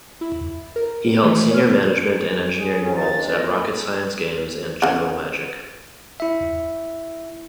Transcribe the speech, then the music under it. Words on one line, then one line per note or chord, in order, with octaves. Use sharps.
He held senior management and engineering roles at Rocket Science Games and General Magic.
E4
A#4
D#3 E3 A3
C#5 G#5 F6
G#4
F#3 C#4
F#3 D#4 F4 A6
E3 D4
F4 D#5
A#3 F4 B5
C#3 F#5
E4 E5